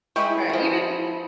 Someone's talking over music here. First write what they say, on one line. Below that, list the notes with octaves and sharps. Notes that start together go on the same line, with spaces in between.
Right, even
E3 G#3 E4 G4 B5 C#6 D#6
F3 G#4